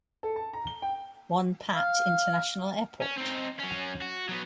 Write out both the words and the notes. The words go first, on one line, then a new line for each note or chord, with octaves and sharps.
Won Pat International Airport.
A4
A5
A#5
G7
G5
F5
C#4
C4 D#4
F#3 C#4
F#4
F#3 B3